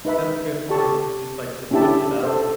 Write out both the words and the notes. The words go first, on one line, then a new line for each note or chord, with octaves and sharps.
That's a good point. Just, like, to switch it up.
D#4 B4 E5 B5
G4 A4 A5 C#6
C#4 D4 E4 G4 E5 A5
A4 C5